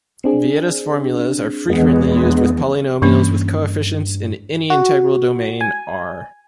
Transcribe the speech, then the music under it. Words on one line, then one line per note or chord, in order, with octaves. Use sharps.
Vieta's formulas are frequently used with polynomials with coefficients in any integral domain "R".
C4 D4 G#4
E2 G#3 B3
G2 E3 A#3 C#4
F#4
G#5